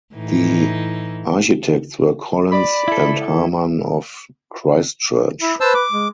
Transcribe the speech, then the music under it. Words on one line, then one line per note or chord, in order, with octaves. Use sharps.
The architects were Collins and Harman of Christchurch.
A2 E3 D#4
D5 B5
E4 A4
E4
B4 C5 A5 E6
D6
G#3